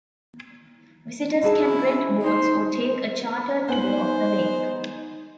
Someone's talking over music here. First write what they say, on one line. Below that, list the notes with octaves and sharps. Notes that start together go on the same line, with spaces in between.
Visitors can rent boats or take a chartered tour of the lake.
E4 F#4 G#4 A5
D#4 C5
B3 D#4 C5 G#5 F#7